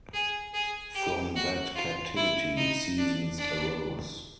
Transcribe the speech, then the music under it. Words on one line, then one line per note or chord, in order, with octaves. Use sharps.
From that captivity, seasons arose.
G#4
G#4
G4
F#4
F4
E4
D#4
D4
D4